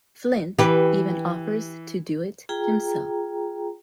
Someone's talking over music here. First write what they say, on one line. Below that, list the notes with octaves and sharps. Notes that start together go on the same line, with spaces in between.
Flint even offers to do it himself.
E3 G4 B4
F4 G#4 G5 A#5